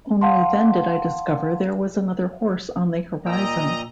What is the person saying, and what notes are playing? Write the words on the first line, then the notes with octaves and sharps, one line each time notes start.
Only then did I discover there was another horse on the horizon.
F5 F#5 A5 C6
A#2 D#5 G5 A#5 E6